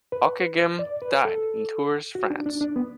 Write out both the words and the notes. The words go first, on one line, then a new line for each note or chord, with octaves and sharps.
Ockeghem died in Tours, France.
B4
D5
B4
A4
F#4
D4
D4
D4
B3